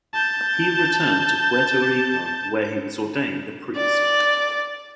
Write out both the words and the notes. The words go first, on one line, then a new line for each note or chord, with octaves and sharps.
He returned to Puerto Rico where he was ordained a priest.
A5 G6
D5